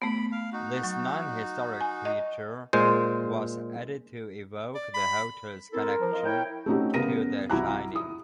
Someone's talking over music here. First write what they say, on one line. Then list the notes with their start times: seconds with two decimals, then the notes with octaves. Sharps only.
This non-historic feature was added to evoke the hotel's connection to "The Shining".
0.02 A3 B3 B5
0.32 F5
0.53 D#4 F#4
0.83 F#3 C#6
1.81 G#5
2.05 D#5
2.73 A#2 G#3 C5
4.75 D5
4.94 B5
5.72 C4 E4 A4 A#4
6.01 F3
6.13 F4 D#5
6.26 E4 C#5 G5
6.66 A3 C4 C#4 D#4 F#4 G4
6.94 C#3 G3 B3 A#4 A#6 D#7
7.50 C2 E4 F#4 A#5 D6 F#6
7.93 E4 D#6